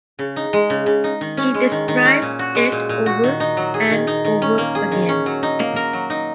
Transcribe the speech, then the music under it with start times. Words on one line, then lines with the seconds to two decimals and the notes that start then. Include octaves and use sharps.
He describes it over and over again.
0.19 C#3
0.36 D#4
0.53 G#3
0.70 C#3
0.86 C#3
1.04 D#4
1.21 D#3
1.37 C#4
1.54 G#3
1.72 D#3
1.88 D#3
2.05 C#4
2.22 A#2
2.39 F#4
2.55 G#3
2.72 A#2
2.89 A#2
3.06 F#4
3.24 D#3
3.40 D#4
3.57 F#3
3.74 G#4
3.90 D#3
4.07 D#4
4.25 D#3
4.42 C#4
4.58 A#3
4.75 G#4
4.91 D#3
5.09 C#4
5.26 F#3
5.43 D#4
5.59 A#3
5.76 A#4
5.93 F#3
6.10 D#4